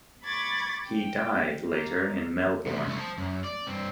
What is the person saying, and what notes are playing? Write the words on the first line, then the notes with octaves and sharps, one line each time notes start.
He died later in Melbourne.
B5 C#6 D6 G#6 A6
G5
A#3
E2 C3
C2 A3
C5 A5
F#2
D5
G2 C4